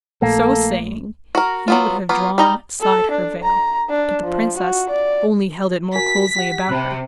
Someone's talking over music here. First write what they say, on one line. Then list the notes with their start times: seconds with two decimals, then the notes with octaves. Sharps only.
So saying he would have drawn aside her veil; but the princess only held it more closely about her.
0.22 A#1 A#2 A3 A#3 A4
1.35 F#4 A#4
1.68 F#3 B3 F4
2.09 A#3 B3 F4
2.38 G3 D#4 A#5
2.81 A4
3.11 D4
3.43 A#5
3.89 D4
4.23 F3
4.57 F#4
4.89 D5
5.95 F#4 A#4 G#5 B6
6.36 G4 F#5
6.69 C3 B5 F#6